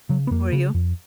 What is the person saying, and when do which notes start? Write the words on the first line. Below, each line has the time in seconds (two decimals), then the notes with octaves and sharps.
Were you?
0.09 C#3 F#3
0.27 B3
0.31 F2 A#3
0.52 C#3
0.74 F2